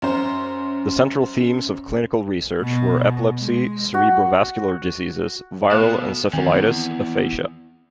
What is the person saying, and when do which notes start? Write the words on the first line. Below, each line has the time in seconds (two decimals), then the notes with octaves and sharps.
The central themes of clinical research were epilepsy, cerebro-vascular diseases, viral encephalitis, aphasia.
0.02 F#2 C5
2.61 B2
3.39 G#3
3.94 F#4
5.71 B2 A3 A4
6.33 E2 D#3 C4